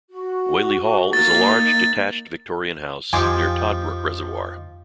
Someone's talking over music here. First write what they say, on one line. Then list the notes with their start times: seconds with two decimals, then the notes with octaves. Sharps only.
Whaley Hall is a large detached Victorian house near Toddbrook Reservoir.
0.12 F#4
1.13 A#3 D#4 A6
3.13 F2 F3 D#4 G4 G#5 C6 D6